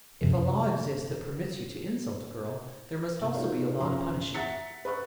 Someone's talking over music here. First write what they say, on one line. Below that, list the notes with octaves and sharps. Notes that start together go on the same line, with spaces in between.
If a law exists that permits you to insult a girl, there must also be a law to punish you.
F#2 C3 F3
C3
D#4 F4 F#4 C#5 F5
F2 C#4 A#5 C6
E5 F#5 A#5 A6 B6 C#7
B4 B5 C#6 F#6